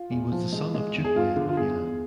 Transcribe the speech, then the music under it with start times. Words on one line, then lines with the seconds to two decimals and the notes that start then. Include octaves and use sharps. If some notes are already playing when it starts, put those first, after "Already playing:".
He was the son of Duke Wen of Yan.
Already playing: F4
0.11 E2
0.32 F3
0.52 G#3
0.74 G#3
0.95 E2
1.04 G#4
1.16 E2 F4
1.36 D3
1.49 F4
1.57 E2 G#4
1.79 E2